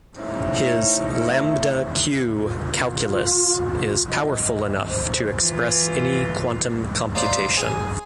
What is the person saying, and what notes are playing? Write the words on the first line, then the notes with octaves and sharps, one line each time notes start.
His lambda-q calculus is powerful enough to express any quantum computation.
A3 C4 C#4 D#4 E4
F4
D#5
C5
E3 F4
D#4 F4 C5 D5
G#4 G#5